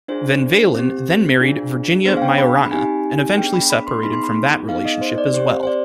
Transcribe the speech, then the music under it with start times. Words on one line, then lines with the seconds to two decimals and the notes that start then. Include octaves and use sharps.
Van Valen then married Virginia Maiorana, and eventually separated from that relationship as well.
0.08 D4 F4 G#4 C5
0.75 C4 G4
1.40 D4 F4 G#4
2.05 B3 D4 G#4 C5
2.17 F5
2.22 G5
2.38 B5
2.55 B5
2.66 B5
2.71 C4 D#4 G4 G#5
3.37 B3 D4 G#4 G5
3.54 B5
3.70 B5
3.87 C6
4.03 B3 D#4 G#4 B5
4.13 C6
4.23 B5
4.68 B3 D#4 G#4 F5
4.85 D#5
5.01 C5
5.18 D5
5.34 C4 G4 C5
5.63 C5
5.67 D5